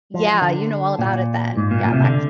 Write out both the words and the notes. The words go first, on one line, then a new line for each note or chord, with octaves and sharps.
yeah, you know all about it then. Yeah, back
F3
D3
A#2
G#2
A#2
A#2
C3
D3